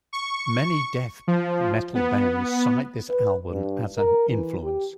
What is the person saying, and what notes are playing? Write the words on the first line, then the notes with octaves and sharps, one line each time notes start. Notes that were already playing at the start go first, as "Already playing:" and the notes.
Many death metal bands cite this album as an influence.
C#6
F3
B3
B4
G2
A#4
E3
G4